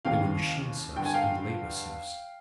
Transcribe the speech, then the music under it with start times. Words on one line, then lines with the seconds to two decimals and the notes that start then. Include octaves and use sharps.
They were machine-serfs and labor-serfs.
0.05 D#2 C#3 E3 F5 G5
0.96 G2 D3 G5
1.05 G#5
1.14 F5 G5